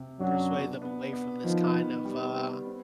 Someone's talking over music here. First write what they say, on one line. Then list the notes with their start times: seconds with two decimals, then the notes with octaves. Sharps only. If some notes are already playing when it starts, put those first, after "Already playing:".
Persuade them away from this kind of, uh
Already playing: C3
0.20 F#2 F#3 D4
0.51 B3
0.82 B3
1.13 B3
1.44 D#3 F3
1.74 B3
2.05 G3
2.35 B3
2.67 C4